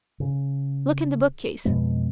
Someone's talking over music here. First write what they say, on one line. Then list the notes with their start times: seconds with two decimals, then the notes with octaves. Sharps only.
Look in the bookcase!
0.20 C#3
1.65 F2 B2 G#3 B3